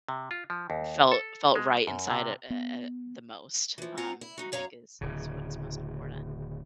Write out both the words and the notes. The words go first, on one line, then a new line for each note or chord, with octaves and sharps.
felt felt right inside a a a the most, um, I think is is what's most important.
C3
F4
F3
D#2
A4
G#3
F#2
C3
B3
E3 F3
C4 F4 F#5 G#5 A#5
E4
D#4 F#4
F#2 C#5 F5 A#5
D1 C#3